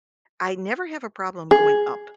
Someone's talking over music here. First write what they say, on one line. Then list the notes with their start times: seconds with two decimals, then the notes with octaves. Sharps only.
I never have a problem going up.
1.51 G#4